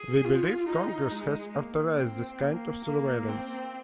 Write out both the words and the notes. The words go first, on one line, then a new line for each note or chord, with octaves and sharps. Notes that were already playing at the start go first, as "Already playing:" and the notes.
We believe Congress has authorized this kind of surveillance.
Already playing: G#4
F4
D#4
G#3
A#3
C4
A#3
A#3
C4